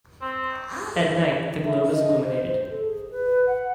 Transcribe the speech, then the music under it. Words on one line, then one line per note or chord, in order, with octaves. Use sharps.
At night, the globe is illuminated.
C4
E5
D#5
C5
C5
A4
G#4
B4
F#5